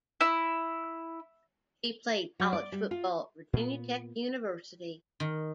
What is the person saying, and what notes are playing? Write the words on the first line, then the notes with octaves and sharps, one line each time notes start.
He played college football at Virginia Tech University.
E4
F#3
D5
G3
F4
A#2 B3
D#3